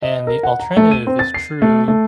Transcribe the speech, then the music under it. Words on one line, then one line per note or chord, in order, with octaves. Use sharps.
And the alternative is true.
D#5
A#4
F#5
A#5
A3
D#7
C4
A6
C7
A3
A3